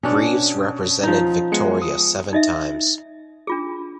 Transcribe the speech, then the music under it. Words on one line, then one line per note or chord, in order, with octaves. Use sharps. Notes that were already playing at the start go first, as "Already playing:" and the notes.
Greeves represented Victoria seven times.
B2 C#4 D4
F3 D#4
G#3 B3 C#7
D#6
D#4 D#5 E5
D4 F4 G#4